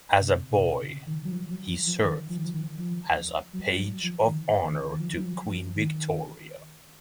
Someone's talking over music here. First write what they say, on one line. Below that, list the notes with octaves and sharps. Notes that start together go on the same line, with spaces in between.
As a boy, he served as a Page of Honour to Queen Victoria.
C3
A#2
C3
C#3
D#3
F#3
F3
F#3
F3
F3
D#3
F3
D#3
F3
D#3
F3
F#3
F#3
F3
D#3
D#3
D#3
F3
F#3
F3
F3
D#3